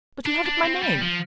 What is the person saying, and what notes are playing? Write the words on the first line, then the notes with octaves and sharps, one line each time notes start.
But you haven't my name.'
D4
D4
C4
G3
F3